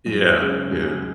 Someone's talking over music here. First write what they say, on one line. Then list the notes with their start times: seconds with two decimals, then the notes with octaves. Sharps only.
Yeah, yeah.
0.06 F#2
0.38 C#3 G#3 C#4
0.71 F#2